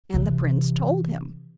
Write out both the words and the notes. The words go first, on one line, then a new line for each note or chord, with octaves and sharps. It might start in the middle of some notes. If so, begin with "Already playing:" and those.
And the prince told him.
C3 E3